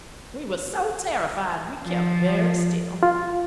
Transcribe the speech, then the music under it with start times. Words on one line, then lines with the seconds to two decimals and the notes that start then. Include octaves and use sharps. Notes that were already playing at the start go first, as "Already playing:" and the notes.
We were so terrified we kept very still.
1.85 F3
3.03 F4